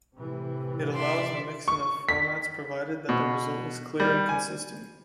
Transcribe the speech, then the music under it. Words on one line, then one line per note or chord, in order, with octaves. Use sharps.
It allows the mixing of formats, provided that the result is clear and consistent.
A2 C3 E3
D5 E5 C6
C#6
B6
B2
G3
G#5